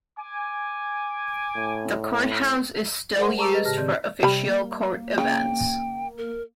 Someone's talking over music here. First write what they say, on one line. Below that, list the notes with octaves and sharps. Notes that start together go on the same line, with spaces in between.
The courthouse is still used for official court events.
G#5 D6
A2
G#3 G#4 A#4 C5 F#5
A5 A#5 C#6 D6 E6
G4 G#4 B4 D#5
A2 C#3 G4 A5 F6 A#6
D#3 C4 D5 G6
C3 G3 B5
A#3
C#3 G5
A#4